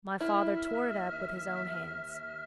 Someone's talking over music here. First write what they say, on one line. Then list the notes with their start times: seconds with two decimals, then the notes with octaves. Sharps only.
My father tore it up with his own hands.
0.21 D#2 E4 E5 F6